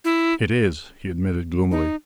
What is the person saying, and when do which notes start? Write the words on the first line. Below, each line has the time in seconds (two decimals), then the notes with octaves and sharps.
"It is," he admitted gloomily.
0.05 E4
1.71 D#4